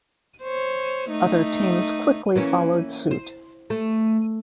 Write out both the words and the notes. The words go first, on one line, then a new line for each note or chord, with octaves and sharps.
Other teams quickly followed suit.
C5 C#5
A3 D#4
E3 A#3 C#4
C5
A3